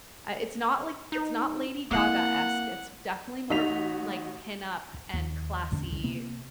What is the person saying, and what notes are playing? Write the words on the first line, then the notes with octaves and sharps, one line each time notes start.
uh, it's not, like It's not Lady Gaga-esque, it's m definitely more, like, pin-up and classy.
D#4
A#3 C4 E4 F#5
A1 D#4 F#4 B6 F7
D#2
A1 E2 D3
C2 C#3
C3 A#3 B3